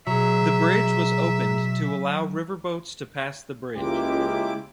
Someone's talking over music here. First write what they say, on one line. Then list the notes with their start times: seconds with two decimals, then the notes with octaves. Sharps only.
The bridge was opened to allow riverboats to pass the bridge.
0.07 B2 F#3 G#4 E5 A#5
3.76 C#2 C#3 G#3 A#3 E4 F4 G4 D6